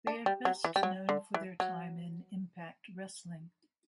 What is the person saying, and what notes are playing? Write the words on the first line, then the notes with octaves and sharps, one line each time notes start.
They are best known for their time in Impact Wrestling.
D4
G3
F#3
E3
G3
F#3
D3
E3
F#3